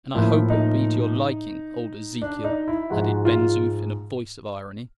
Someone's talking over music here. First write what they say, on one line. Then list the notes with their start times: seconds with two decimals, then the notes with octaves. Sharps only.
"And I hope it will be to your liking, old Ezekiel!" added Ben Zoof in a voice of irony.
0.14 A2 F3 A#3 E4
0.50 D#4
2.22 D4
2.44 D#4
2.68 E4
2.90 G#2 F3 G#3 F#4
3.25 F4